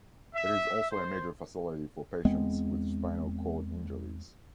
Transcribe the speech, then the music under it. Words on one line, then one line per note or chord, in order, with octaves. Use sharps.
It is also a major facility for patients with spinal cord injuries.
E5
C5
E2 G#3 B3 C4